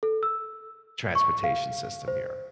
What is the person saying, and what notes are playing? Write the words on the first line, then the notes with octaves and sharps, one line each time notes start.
transportation system here.
A4
E6
C#6
F5
C5